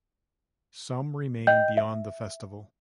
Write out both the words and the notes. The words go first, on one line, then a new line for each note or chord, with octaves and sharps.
Some remain beyond the festival.
D#5 G5 G6
E5